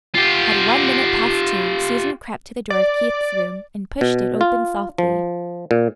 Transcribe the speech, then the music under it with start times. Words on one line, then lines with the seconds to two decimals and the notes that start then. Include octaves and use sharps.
At one minute past two Susan crept to the door of Keith's room and pushed it open softly.
0.15 F4 G4
2.70 D5
4.01 B2
4.41 F4
4.98 F3
5.71 A#2